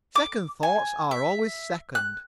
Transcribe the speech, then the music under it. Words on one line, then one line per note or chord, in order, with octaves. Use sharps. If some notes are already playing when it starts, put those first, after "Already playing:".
"Second thoughts are always second."
D6
G#5
E5
F#6